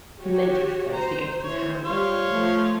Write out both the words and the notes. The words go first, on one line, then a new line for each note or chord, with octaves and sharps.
He leant his face against his hand.
F#4 G4 C#5
C5 A#5
E3 C5 C#5
G3 F4 C5 C#5 F5
F3 A3